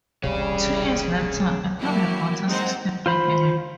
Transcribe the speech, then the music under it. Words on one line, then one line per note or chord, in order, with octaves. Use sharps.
Two years later a public water system began.
E1 C2 G3 G#4 C#5
F#3 A#3 E4 F#4 G4
G#3 C4 D#4 A#4 C5 F#5
F4 C5 B5